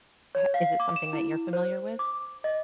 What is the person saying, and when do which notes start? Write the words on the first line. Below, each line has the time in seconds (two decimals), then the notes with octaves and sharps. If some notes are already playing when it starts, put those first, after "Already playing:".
ha is it something that you're familiar with?
0.35 C#5
0.54 F5
0.80 D6
0.96 E7
1.13 E4
1.53 C5
1.99 D6
2.44 D#5